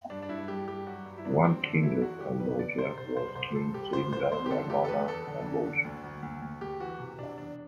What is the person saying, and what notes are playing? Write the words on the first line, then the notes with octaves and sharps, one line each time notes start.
One king of Kamboja was King Srindra Varmana Kamboj.
G2 D4
D4
G2 E4
G2 G4
G2 G4
F#3 F#4
G2
E4
E2 D4
E2 C4
D3 D4
F#3 E4
E2 F#4
D3 G4
E2 B4
D3 D5
C3 C5
C3 C5
C2 C5
C2 C5
C2 A4
C2 G4
C2 C5
C2 C5
E2 C5
G4
D3 A4
E2 G4
A4
E2 B4
E2 A4
D3
E2
D3
D2
D2
D2
D2
D2 G4
E3 F#4
C3
C3 D4
E2 D4